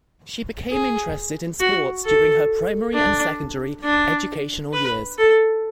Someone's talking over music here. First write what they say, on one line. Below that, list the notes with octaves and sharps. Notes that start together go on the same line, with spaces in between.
She became interested in sports during her primary and secondary educational years.
G#4
F#4
A4
D4
D4
B4
A4